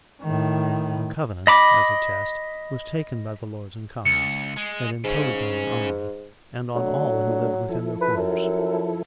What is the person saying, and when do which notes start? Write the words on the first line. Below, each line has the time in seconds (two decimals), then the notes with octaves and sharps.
A covenant, as a test, was taken by the lords and commons, and imposed on their army, and on all who lived within their quarters.
0.21 A2 D#3
1.47 D#5 B5 D6
4.05 C#2 C#7
4.57 G#3
5.04 G#2 C#3 C#4
6.75 F#3 A3 D4
7.69 F3 E4 A4
8.01 B4
8.17 F#2